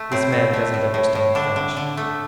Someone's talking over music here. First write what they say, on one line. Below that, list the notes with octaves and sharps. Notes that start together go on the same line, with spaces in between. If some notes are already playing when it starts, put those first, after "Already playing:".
"This man doesn't understand French."
Already playing: A3
A2 C4
A2
A3
A2
A2
A2
D3 D4
D3
D3
A3